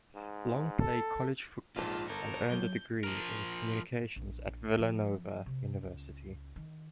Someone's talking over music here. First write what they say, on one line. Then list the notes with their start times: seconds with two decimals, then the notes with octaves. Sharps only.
Long played college football and earned a degree in communications at Villanova University.
0.15 G#2
0.80 A4
1.76 A#1 G#2 F4 A5
2.09 G1 A4 A#4
2.50 F#3 G6
3.04 F3 A#4
4.16 A#1
4.78 F3
5.46 C3
5.83 C#2
6.56 D#3